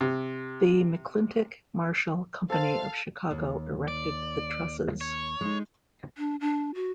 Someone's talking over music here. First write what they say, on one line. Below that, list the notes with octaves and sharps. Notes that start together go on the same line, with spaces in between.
The McClintic-Marshall Company of Chicago erected the trusses.
C3
A4 C5 F5 A5
D#2
D5
C#5
G#3 D#4
D4
D4
F#4